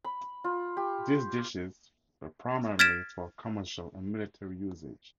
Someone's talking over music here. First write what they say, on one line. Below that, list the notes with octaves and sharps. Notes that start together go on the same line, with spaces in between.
These dishes were primarily for commercial and military usage.
B5
F4
G4
F6 G#6 A6 B6 D7 E7